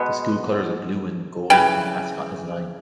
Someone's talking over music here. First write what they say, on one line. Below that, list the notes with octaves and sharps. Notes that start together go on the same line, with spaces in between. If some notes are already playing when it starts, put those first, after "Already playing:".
The school colors are blue and gold and the mascot is a lion.
Already playing: B2 G#3 B3
C#3 E3 G5